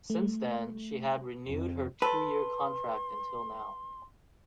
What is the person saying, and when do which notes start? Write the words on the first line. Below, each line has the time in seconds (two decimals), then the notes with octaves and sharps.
Since then, she had renewed her two-year contract until now.
0.10 A3
1.48 F2
2.02 A4 B4 C6